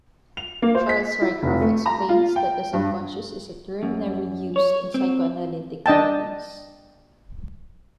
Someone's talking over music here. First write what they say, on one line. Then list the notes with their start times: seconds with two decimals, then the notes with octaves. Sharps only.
Charles Rycroft explains that the subconscious is a term "never used in psychoanalytic writings".
0.37 F7
0.62 A#3
0.75 C5
0.89 B6
1.22 E4
1.43 F1
1.61 A3
1.86 A#5
2.09 F4
2.36 G5
2.73 G2
3.83 F#2
4.56 C#5
4.94 C4
5.86 D4 D#5 G5 A5